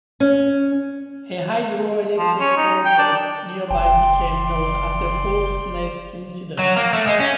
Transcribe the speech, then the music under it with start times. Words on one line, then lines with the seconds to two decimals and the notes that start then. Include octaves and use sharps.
A hydro-electric project nearby became known as the Hawk's Nest Incident.
0.20 C#4
2.18 F3
2.40 C#4
2.57 D#4
2.85 G5
2.98 D4
3.71 F#1 D5 G5 C6
6.59 F#3
6.76 A#3
6.93 A3
7.07 G#3
7.20 C#4